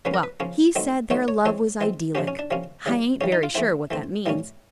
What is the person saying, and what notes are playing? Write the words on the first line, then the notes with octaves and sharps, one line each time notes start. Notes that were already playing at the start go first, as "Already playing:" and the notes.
Well, he said their love was idyllic, I ain't very sure what that means.
C#3 F3 A#3 C#4 B4
A#4
B4
C#3 F3 A#3 C#4
D#3 F#3 A3 C4
D#3 F#3 A3 C4 C#5
C#5
E3 G#3 C4 C#5
E3 G#3 C4
C3 F3 A#3 C#4 G4
C#4
D4
C3 F3 A#3 C#4
C#3 E3 G3
C#3 E3 G3 C#4
D#4
F4
E3 A3 C4 E4
E3 A3 C4
A2 E3 G3 A#3 C#4